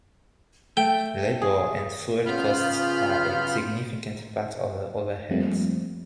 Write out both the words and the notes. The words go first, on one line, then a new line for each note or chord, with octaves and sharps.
Labor and fuel costs are a significant part of the overhead.
A3 G5
G#4
C#3 B3 F4 B5 F6 G6
F3 G3 A3 A#3 C4